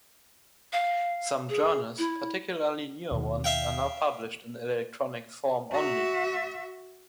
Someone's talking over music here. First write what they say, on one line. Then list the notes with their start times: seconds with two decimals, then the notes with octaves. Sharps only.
Some journals, particularly newer ones, are now published in electronic form only.
0.73 F5
1.49 G#4
1.98 E4
3.11 D#2 B2 D#3
3.44 E5 F5 G5
5.72 F#4 E5